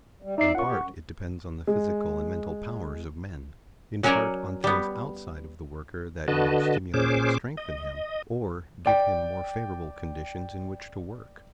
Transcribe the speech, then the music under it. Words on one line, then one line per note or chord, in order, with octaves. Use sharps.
In part it depends on the physical and mental powers of men; in part on things outside of the worker that either stimulate and strengthen him, or give him more favorable conditions in which to work.
G3
D#4 D5 E5 C7
A#3 C#4 F4 F#5 C#6
G4
F#2
G#3
F#3 C#4 F#4 A#4 C#5 D5
G3 B3
D3 F#4 B4 D#5 A5
A#2 C#4 G#4 C5 D6
D#5
D5 G5